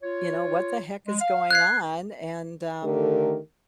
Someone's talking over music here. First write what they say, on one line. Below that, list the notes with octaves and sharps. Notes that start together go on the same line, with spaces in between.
you know, what the heck is going on and, um,
F4 C#5
G#3
F5
F#6 G#6 C7
D3 D#3 A3 G4 A#4